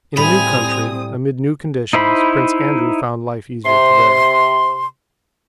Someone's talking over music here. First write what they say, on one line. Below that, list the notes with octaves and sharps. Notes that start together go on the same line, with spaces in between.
In a new country, amid new conditions, Prince Andrew found life easier to bear.
A2 G3 C4 G#5 B5 D#6 F7
D#4 E4 C5 B5
C3 C6